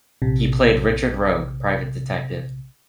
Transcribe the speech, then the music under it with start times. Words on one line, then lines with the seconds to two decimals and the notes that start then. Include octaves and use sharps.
He played Richard Rogue, private detective.
0.22 A#1 C3